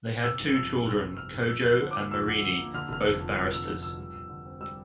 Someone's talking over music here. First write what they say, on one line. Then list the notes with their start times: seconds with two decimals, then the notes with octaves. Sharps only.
They had two children, Kojo and Merene, both barristers.
0.24 C3 E6
0.40 G1
0.55 F2 E6
0.71 G1
0.87 C3 E6
1.02 G1
1.17 F2 F6
1.33 G1
1.49 F3 E6
1.64 D2
1.70 E6
1.81 D3
1.91 D6
1.96 A#3
2.11 F3 E6
2.27 D2
2.42 D3
2.59 A#3
2.74 D3 F6
2.89 F1 F6
3.05 F2 E6
3.21 F3
3.36 D3 F6
3.52 F1 E6
3.67 F2 E6
3.83 F3 E6
3.98 G3
4.14 D2
4.29 D3
4.46 C4
4.61 G3 E6